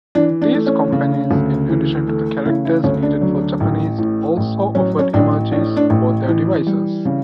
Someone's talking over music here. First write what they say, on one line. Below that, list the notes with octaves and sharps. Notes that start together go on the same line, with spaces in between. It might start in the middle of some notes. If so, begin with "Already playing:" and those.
These companies, in addition to the characters needed for Japanese, also offered emojis for their devices.
E3 D4
D4
A3
C#4
C#3
D2
E3
A3
C#3 E4
E4
D2 C#4
D4
F#3
A1
A2
A1
F#3 C#4
C#4
A1 D4
A2 D4
D4
A1
E3
G3
C#3